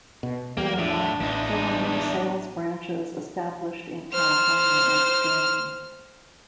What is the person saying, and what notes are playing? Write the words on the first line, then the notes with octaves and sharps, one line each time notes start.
Furthermore, there were new sales branches established in California and Germany.
B2
E2 A#3
A2 D4
A1 E2 D#4
C5 F6